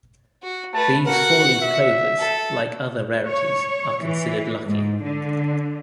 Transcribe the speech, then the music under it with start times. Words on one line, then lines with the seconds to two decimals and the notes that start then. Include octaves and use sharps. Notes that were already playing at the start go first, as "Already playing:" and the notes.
These four-leaf clovers, like other rarities, are considered lucky.
0.43 F#4
0.74 A3 B4 A5
1.06 F#4 A#4 F#5
1.62 E5
2.18 A4
3.27 C#5
4.02 E3
4.65 G#2
5.03 D3